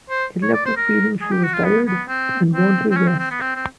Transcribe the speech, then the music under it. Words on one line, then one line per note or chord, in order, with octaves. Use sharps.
It left her feeling she was tired, and wanted rest.
C5
C#5
D5
C5
A#4
G#4
G4
F#4
F4
B3
B3
C4
C4
C4
C#4
C4
C4
B3
C4
C4